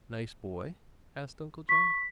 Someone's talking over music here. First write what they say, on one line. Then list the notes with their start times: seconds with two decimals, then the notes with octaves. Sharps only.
"Nice boy?" asked Uncle John.
1.69 C#6 B6